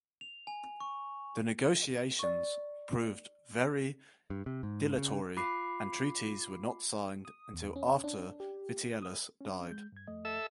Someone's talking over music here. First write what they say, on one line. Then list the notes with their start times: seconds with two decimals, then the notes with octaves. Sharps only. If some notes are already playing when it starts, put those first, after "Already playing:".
The negotiations proved very dilatory and treaties were not signed until after Vitellius died.
0.21 F7
0.47 G#5
0.80 C#6
2.19 D5 C#6
4.30 G2
4.46 C3
4.63 G#2
4.98 C#3
5.37 F4 B5 D6 C7
7.25 D#6
7.53 E2
7.76 C#4
8.04 D4
8.40 G4
9.02 D#6
9.41 C#4
9.71 G#3 G6
9.92 G2 G#6
10.08 F2 A3 D#5
10.25 A4 E5 E6